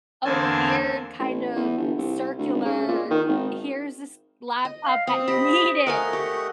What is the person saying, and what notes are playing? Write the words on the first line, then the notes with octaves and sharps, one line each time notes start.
a weird, kind of circular here's this laptop that you needed.
E2 D3 A#3 C4 G#5 A5
A1
E2
G1
C2
D2
G#1
C#3
A#2
D#3
G#1
D#5
F5
C4 D#6
G4 D#5 B5
A3 A#4 D#5 F5 F#5 G#5
G4 C#6